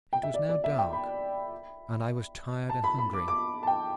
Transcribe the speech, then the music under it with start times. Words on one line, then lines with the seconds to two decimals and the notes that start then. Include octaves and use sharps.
It was now dark, and I was tired and hungry.
0.13 G5
0.23 E5
0.34 D5
0.49 D5
0.64 E5
0.78 G5
0.93 B5
2.69 A5
2.84 B5
2.98 B5
3.13 D6
3.28 D6
3.63 A5
3.67 G5